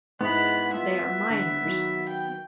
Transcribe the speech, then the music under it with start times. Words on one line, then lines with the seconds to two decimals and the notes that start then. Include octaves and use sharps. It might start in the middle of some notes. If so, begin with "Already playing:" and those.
They are miners.
0.21 G#2 G#3 B3 E4 B5
0.74 G#3 F4 E5
1.30 D3
1.64 D#3 F#3
2.09 G5